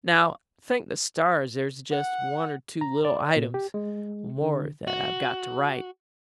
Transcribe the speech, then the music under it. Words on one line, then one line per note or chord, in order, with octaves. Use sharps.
Now, thank the stars, there's just one or two little items more that I've got to write.
F#5
A#5
D5
A#2
G4
G#3
D3
F#4